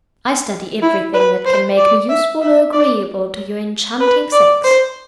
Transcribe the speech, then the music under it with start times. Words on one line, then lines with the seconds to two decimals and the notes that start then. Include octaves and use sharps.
I study everything that can make me useful or agreeable to your enchanting sex.
0.82 E4
1.14 B4
1.46 C5
1.77 D5
2.09 E5
2.42 E5
2.73 D5
4.00 B4
4.32 D5
4.64 C5